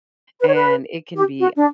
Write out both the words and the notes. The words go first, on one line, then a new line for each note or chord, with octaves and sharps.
and it can be
B4
C#5
B4
G4
F#4
D4